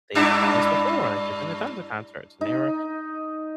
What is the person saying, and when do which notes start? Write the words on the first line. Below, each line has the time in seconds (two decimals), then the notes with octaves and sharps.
they've done this before, like, they've been to tons of concerts, and they were
0.15 G2 D4 E4
2.41 D#4